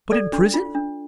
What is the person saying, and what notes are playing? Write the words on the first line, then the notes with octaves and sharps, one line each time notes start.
"But in prison?"
A4 D5
D4
F4
D4